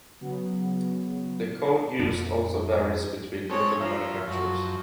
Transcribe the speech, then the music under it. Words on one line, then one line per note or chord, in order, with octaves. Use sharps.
The code used also varies between different manufacturers.
C#3 F#3 B3
F2 D4
G#3 C4 A4 C#5
F3 F4 E5 A#5
F#2 F3 F#4